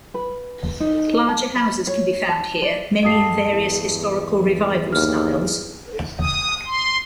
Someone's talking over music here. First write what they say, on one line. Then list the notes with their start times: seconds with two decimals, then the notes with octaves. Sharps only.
Larger houses can be found here, many in various historical revival styles.
0.14 B4
0.80 D#4
1.28 A5
1.56 B5
1.87 C#5
2.29 A5
2.62 D5
3.03 G2 A4 D#5 D#6 C7
3.53 E2
4.93 D#2 F6
6.20 D#6
6.66 C6